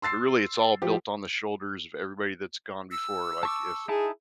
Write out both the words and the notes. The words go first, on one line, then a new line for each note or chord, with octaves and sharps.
but, really, it's all built on the shoulders of everybody that's gone before, like if
C6 E6 A6 C7
F3 G4
E6
A5 C#6 D6
D#4 E4 G#4 A5